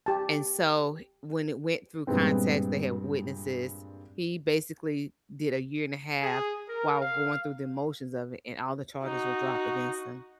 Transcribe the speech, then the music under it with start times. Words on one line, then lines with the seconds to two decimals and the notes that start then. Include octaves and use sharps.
And so, h when it went through context, they had witnesses, he basically did a year and a half while going through the motions of it and all the charges were dropped against him.
0.06 G4 A5
2.07 G2 A#2 G#3 B3 C4
6.21 G#4
6.68 A#4
7.01 F5
9.05 D#4 F#4